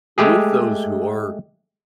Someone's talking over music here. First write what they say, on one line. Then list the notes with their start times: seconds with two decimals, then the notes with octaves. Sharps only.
with those who are
0.18 G#3 A3 G4 G#4